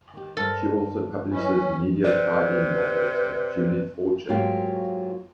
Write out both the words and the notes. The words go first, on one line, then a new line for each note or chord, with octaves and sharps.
She also publishes media tie-in novels as Julie Fortune.
D#3 G4
G2 A4 A#4 C5
F#3 C#4 E4 A#4 B4 D#5
C3 B4 D5
G#2 F#3 A#3 F4 G4